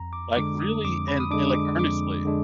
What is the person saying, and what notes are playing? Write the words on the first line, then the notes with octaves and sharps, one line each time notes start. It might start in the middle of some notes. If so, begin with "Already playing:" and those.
Like, really, and and like earnestly,
Already playing: F2 A#5
D6
D3 G#3 D4 D6
D#6
F2 D6
B5
D#6
D3 G#3 D4 D6
D6
F2 D6
D3 G#3 D4